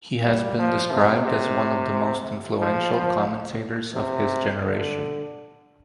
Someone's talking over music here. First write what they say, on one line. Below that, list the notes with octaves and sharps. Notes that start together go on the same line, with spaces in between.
He has been described as "one of the most influential commentators of his generation".
G3
F3
C3
C3
F3
F3
C3
D3